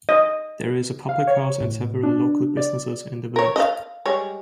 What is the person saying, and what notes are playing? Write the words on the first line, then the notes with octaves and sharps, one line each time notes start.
There is a public house and several local businesses in the village.
D#5
F5
C#5
A2
D4
D5
A#4 C#5
D#5 F5
G3 G#3 C#5